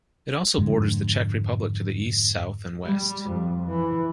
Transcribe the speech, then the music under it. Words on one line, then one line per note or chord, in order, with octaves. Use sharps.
It also borders the Czech Republic to the east, south and west.
F2 G#2 D3 G#3
G3
F2
E3